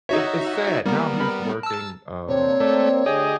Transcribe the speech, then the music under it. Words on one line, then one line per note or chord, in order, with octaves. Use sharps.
I it's sad! Now he's working, um,
D#4 F#4 C#5 D#5 E5
G3 A#3 B3
A#4 B5
A5 E6
C3 A#3 C4 D4 C#5
A3 D5
D2 G4 G#4 D#5